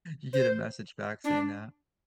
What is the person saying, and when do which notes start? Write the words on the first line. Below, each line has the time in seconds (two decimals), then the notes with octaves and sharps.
you get a message back saying that.
0.33 C5
1.24 D4